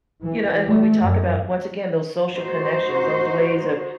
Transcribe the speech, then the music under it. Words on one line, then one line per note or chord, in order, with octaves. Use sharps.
You know, and when we talk about, once again, those social connections, those ways of
E3
A3
F#2
D#4 F#4 C5